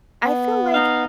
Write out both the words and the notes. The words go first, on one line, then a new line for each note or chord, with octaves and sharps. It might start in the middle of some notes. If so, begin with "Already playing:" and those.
I feel like
B3
D#4 D#5 F5